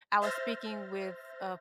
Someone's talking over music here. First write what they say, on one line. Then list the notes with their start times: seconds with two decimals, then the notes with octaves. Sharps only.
I was speaking with a
0.22 C5 E5 F6 G6 A6 A#6